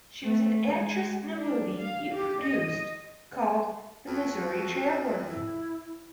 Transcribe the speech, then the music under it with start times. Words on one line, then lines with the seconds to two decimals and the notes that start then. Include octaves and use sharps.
She was an actress in a movie he produced, called "The Missouri Traveler".
0.23 A3
0.72 G#3
1.35 D4
1.80 F5
2.13 G4
2.42 D#5
4.07 F2 F#4
5.25 E4